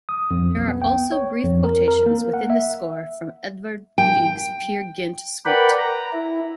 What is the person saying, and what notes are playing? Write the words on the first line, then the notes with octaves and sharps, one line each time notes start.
There are also brief quotations within the score from Edvard Grieg's Peer Gynt Suite.
D#6
F2
B1
B3
G5
C#5
F2
A#4
A#4
A#3
F#5
E5
G5
A#4 B4 D5 F#5 G5 B5
A#5
E4